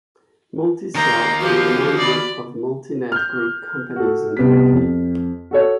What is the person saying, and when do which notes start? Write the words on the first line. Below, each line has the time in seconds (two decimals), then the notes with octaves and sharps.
MultiCell is a member of Multinet Group Companies in Turkey.
0.95 D#3 A#3 G5 A#5
1.40 F3 F#4 G4
1.98 D5 B5
3.12 F6 G6
3.96 F#4 A4
4.37 C2 B3 G4 B6
4.73 F2
5.51 F#4 A4 C#5